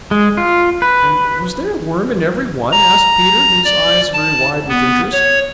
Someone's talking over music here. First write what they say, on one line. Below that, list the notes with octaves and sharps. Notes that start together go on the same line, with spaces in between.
"And was there a worm in every one?" asked Peter, his eyes very wide with interest.
G#3
F4
B4
A#5
D5
A5
B3
C#5